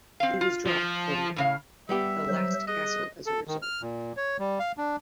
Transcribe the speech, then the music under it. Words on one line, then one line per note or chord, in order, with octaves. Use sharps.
He was dropped from "The Last Castle" as a result.
C4 F5
F4
F3
A2 C#3 F5
G3 B3 G4 E5
F#3 C5
G#4 D#5 F#6
A4
D#3
F6
A#2
C#5
G3
F5
D4